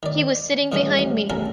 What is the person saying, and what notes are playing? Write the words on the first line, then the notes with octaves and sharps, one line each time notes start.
He was sitting behind me.
D#3 D5
A#2 E3 G3 G#3 C#4 D4
A1
A1 C4 A4 A#4 G#5